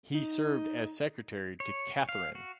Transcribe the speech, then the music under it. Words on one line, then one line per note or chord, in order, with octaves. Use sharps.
He served as secretary to Catherine.
D#4
C#5
F5
F#4